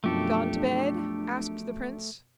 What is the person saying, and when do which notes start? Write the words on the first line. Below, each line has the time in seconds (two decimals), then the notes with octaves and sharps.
"Gone to bed?" asked the prince.
0.04 F#2 B2 F3 A3 D4 G4 A4